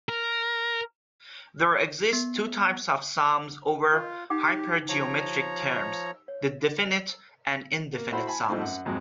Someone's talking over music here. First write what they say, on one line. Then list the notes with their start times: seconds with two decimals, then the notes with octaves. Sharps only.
There exist two types of sums over hypergeometric terms, the definite and indefinite sums.
0.09 A#4
2.13 B3
3.93 F4
4.30 D#4 G4 G5 D6
4.89 F3 G4 C#5 A5 A#5
6.28 C#5
7.96 A#3
8.12 E4 F#4 A4 C5 B5 C6
8.27 G#5 A5 B5
8.48 G#2 F3 G3 A3 C4 D#4
8.62 F#2 F#5
8.85 G#1 F2 F#3 G#3